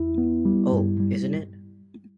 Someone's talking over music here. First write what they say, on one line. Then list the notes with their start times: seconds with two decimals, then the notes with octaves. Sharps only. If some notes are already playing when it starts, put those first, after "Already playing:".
Oh, isn't it!
Already playing: E2 E4
0.18 B3
0.45 G3
0.72 G2
1.00 G3